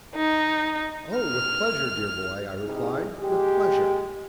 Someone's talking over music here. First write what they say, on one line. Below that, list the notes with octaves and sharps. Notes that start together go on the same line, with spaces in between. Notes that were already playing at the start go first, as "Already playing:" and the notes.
"Oh, with pleasure, dear boy," I replied, "with pleasure."
D#4
F6
C3 D#4 E4 G#4
A#2 G#3 G4